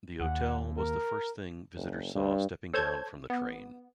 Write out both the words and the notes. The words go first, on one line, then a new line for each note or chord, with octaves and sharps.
The hotel was the first thing visitors saw stepping down from the train.
D#2 F#5
A#4
F#1
G2
A4 C5 C#5 A5 G6 G#6
B3